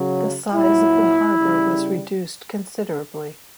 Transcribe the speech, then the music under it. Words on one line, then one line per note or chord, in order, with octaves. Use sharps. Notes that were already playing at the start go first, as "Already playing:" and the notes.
The size of the harbour was reduced considerably.
Already playing: C#3 F#3
A#2 F#3 E4
C#3 G3